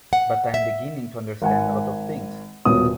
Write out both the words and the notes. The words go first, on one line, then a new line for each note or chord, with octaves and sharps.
But I'm beginning to understand a lot of things.
F#5
E5
G#1 F#5 G#5
D#1 B2 D#6